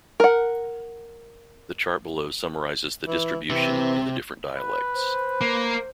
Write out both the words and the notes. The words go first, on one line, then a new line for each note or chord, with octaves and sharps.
The chart below summarizes the distribution in the different dialects.
A#4 F#5
E3
C3 E3 C4
B4
C5
A#3